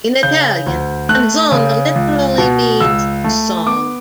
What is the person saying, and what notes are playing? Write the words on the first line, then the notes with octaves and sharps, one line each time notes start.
In Italian, "canzona" literally means "song".
C#3 G6
D2
A3 F#6
C#3
C#2
B2
C#2 E6
A3
B3 D6